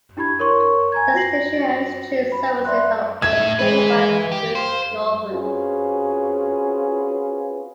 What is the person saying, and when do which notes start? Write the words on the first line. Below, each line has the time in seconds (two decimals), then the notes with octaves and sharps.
The station and its train services are operated by Great Northern.
0.17 D4 E4 G4 B5 G#6
0.39 A#4 C#5 C6 C#6
0.92 G#5 A#5 G#6
1.14 F4 F#4 A#6 C7 F#7
2.32 B5
2.65 D5 E5 C6 F#6
3.22 A2 E5 G#6
3.59 E3 G#3 B4
4.32 G4
4.55 C5 F5
5.32 C4 C#4 F4 F#4 G#4 B4